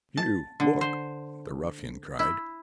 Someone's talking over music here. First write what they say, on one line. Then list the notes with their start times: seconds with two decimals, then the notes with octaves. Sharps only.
"You, look!" the ruffian cried.
0.17 A5
0.60 D3
0.81 C5
2.19 E4